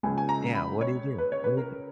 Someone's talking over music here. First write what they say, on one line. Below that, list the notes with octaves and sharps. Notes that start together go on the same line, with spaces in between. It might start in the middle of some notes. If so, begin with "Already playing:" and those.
yeah, what do you do? What do you do?
C#2 C#3 F3 G#5
G#5
A#5
B5
C#5
B4
C#5
B4
A#4